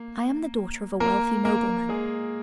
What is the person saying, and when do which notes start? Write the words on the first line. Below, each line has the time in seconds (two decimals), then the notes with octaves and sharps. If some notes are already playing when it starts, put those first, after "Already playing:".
I am the daughter of a wealthy nobleman.
Already playing: A#3
1.00 A#3 A#4
1.45 A#3 A#4
1.89 G#3 G#4